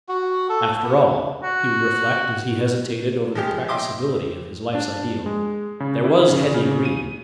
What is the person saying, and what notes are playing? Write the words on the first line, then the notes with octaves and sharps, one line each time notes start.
"After all," he would reflect as he hesitated over the practicability of his life's ideal, "there was Hetty Green."
F#4
A4
B3
F#4
F3 G#3 G4
D#5 E5 G5 C6 D6 D#6
D4
G#3
C#3
E4
C#3
C#3
D#7